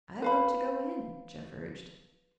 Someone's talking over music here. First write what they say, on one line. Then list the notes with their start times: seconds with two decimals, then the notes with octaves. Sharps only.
"I vote to go in," Jeff urged.
0.22 B4 F5 B5